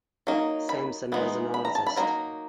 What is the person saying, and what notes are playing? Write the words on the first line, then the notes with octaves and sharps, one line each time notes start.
Sampson was an artist.
F#3 A#3 D#4
B5
E3 G#3 B3 D#4
B5
A#5
A5
B5
F#3 A#3 D#4 A#5